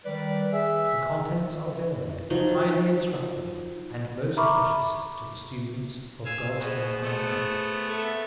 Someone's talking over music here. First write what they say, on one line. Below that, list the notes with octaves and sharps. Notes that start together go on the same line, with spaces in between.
The contents are varied, highly instructive, and most precious to the student of God's entire book.
D#3 G3 B4 D5
G#4 E5
F3 F#3 D#4
E5 A#5 B5 C#6 D6 F6
F5 G#5 E6
B2 G#4 C5
A3 B3
A4 E5